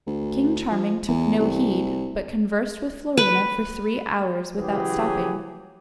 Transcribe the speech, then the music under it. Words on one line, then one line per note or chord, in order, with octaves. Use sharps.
King Charming took no heed, but conversed with Florina for three hours without stopping.
D2
F3
E2
C2
B4
C#3 E3 F#3 G4 G#4